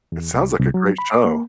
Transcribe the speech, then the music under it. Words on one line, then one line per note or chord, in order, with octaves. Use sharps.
It sounds like a great show.
E2
C2
C2
F#3
B5
D6
A#3